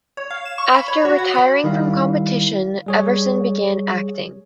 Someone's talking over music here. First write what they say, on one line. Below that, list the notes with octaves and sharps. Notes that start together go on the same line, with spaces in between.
After retiring from competition, Everson began acting.
C#5
F5
E7
C#6
B5
C#5
F#4
F#5
B5
D#3 G3 E4 F5
G3 G#4 C#5